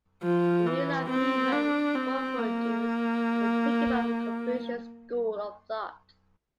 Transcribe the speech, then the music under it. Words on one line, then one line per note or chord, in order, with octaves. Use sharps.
The New life Movement "four virtues" were taken from Confucian school of thought.
F3
E3
C4
D4
C4
A#3